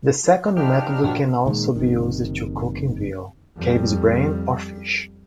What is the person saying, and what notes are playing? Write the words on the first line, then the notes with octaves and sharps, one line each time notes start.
The second method can also be used in cooking veal, calves' brains, or fish.
F3
D4 D#4 G4 F5 B5 F6
A#1 G#2 D#3 C#4 D4 F#4 F6
A#2 D#3 F#3 G#3
F#1 C3 D#3
F2 G3